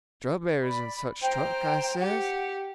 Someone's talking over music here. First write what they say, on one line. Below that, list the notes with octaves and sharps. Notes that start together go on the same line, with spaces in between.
"Strawberries and such truck," I says.
D5 B5
C5 G5 A#5
G4 F#5